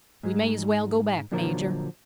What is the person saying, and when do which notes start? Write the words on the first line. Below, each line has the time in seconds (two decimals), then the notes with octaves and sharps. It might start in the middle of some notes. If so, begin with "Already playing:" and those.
We may as well go back, major.
0.23 G#2 G#3
1.31 A#2 D3 F3 F#3 A#4